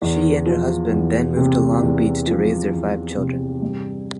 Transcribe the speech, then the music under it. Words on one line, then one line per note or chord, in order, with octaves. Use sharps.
She and her husband then moved to Long Beach to raise their five children.
E2
F3
E2
C3
E2
F3
E2
C3
G2